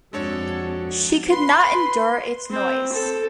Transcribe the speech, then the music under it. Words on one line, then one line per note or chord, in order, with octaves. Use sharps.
She could not endure its noise.
F2 G#3 D4 F#4 A4 C#5
B4 C6
C4
A4